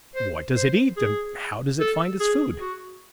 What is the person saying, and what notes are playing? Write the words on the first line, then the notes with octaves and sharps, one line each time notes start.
What does it eat, and how does it find its food?
C5
C5
G#4
A4
G#4
F#4